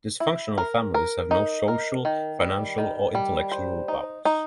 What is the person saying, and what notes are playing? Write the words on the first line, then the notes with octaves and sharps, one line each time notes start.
Dysfunctional families have no social, financial or intellectual bounds.
E4
A#4
A#4
D#4
A#4
D#3
G3
D#3
G3
C5
D#4
D#4